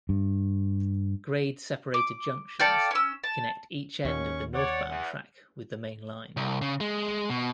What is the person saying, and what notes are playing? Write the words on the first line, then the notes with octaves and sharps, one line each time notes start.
Grade-separated junctions connect each end of the northbound track with the main line.
G2
D6
A4 D5 F5 G5
C#4 E6
A5
D#2 C#4 C#6
C#5 D5 F#5
E2
C2
C#3
G#3
B2